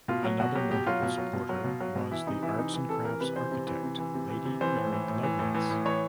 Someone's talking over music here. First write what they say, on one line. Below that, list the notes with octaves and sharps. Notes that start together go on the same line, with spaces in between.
Another notable supporter was the Arts and crafts architect Lady Mary Lovelace.
B2 F4
F#3
B2 F#4
F#3 G4
B2 G4
F#3 F4
B2
F#3
B2
F#3
B2
F#3
B2
E3 E4
C3 D#4
E3 E4
C3 D#4
E3
C3 A4
E3 A#4
C3 B4
E3 C5
C3
E3
C3
E3
C3
E3
C3
E3 C5
A2
E3
A2
E3
A2
E3
A2
E3 C#5